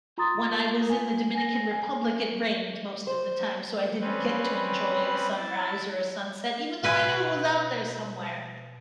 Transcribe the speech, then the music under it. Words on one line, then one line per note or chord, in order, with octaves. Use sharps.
when I was in the Dominican Republic it rained most of the time so I didn't get to enjoy a sunrise, or a sunset- even though I knew it was out there somewhere.
F4 A#5 C6 D#6 A6
G#5
G#5 A#6
G#5
C5
G3 C4 C#4 B4
E4 A6
B2 B4 G#5